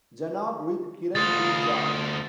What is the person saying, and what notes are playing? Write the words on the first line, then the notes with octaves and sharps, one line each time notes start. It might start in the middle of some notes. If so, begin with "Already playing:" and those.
Janaab with Kiran Juneja.
D2 F4 D#6 A6